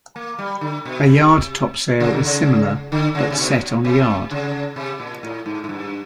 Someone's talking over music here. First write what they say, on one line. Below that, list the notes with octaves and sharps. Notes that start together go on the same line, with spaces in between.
A yard topsail is similar, but set on a yard.
A#3
G3
D3
B2
C3
C#3
D3
C#3
D3
C#3
C3
B2
C3
C#3
C3
A#2
A2
G#2
G#2
G2